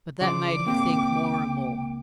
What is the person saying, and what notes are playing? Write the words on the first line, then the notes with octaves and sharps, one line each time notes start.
But that made him think more and more.
C#3 F3 D5 A#5 C6 D6
C#2 A#3 C4 G#4 G5